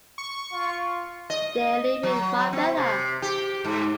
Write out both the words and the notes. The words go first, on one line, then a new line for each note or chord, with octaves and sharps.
They live in Marbella.
C#6
F4
D#5
F#3
C4
C3
G4
G#2